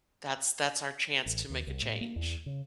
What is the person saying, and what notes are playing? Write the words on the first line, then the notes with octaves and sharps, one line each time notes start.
that's that's our chance to make a change.
A1
D#2
C2
A2
A#3
E2
C#3